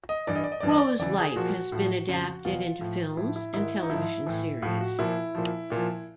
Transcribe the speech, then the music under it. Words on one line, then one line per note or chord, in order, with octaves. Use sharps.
Huo's life has been adapted into films and television series.
D#5
G2 E3 D5
D#5
D5
D#5
G2 E3 D5
D#5
D5
E2 C#3 E3 D5
G#4
A#2 F3 F#4
A2 F3
F2 C#3 F3
E2 B2 F4
A2 F3
A2 F3 E4
E4
G#2 D#3 E4
D#4
G#2 F3 E4
A2 E3
A2 F3 F4
F#4
A#2 F3 E4
A#2 F3
A#2 F3